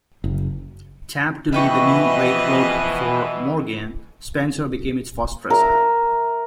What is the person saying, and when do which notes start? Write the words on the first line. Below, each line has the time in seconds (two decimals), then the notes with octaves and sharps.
Tapped to lead the new railroad for Morgan, Spencer became its first president.
0.24 F#1
1.52 B2 E3 F3 B4 D#5 E5 G5 C#6
5.50 A#4 E5 A#5